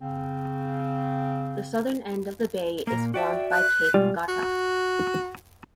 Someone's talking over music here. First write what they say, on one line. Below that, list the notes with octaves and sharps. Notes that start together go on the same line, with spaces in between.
The southern end of the bay is formed by Cape Gata.
C#3 C4
A#2 A#3 A#5
F#4 D5 E5 G5
F#6
B2 G3 G#3 F4
F#4